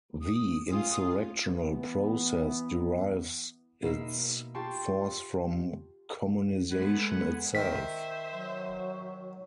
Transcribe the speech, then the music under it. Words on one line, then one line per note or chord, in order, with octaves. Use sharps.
The insurrectional process derives its force from communisation itself.
D#6
F4 G#4 F5 D#6
E3 B3
B2 A#3 D#4 E5 C7
F4 G4 A5 C6 C#6
D3 G#3 A3 B3 B4 F#5 G#5
D#3 C5 E5 B6
F#3